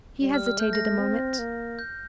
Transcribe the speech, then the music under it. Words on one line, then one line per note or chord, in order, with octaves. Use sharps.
He hesitated a moment.
G3
F6
F6
A3 G6
A#6
C4
A#3
G6